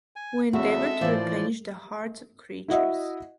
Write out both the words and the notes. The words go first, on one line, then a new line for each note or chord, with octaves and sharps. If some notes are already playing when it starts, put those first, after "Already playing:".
We endeavor to replenish the hearts of creatures.
G#5
E2 C#3 G#3 C4 F#4 A4 E5
A2 E3 F3 A3 C5 D5
E4 F#4 D#5 E5